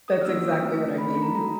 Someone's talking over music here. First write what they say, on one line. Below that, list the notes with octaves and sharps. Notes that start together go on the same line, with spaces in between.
that's exactly what I mean.
D#6
F6
A#3 D4 F#4 E6
A3 C4 D#4
A3 C4 D#4 B5
B5
A#5
D4 F#4 A4 A#5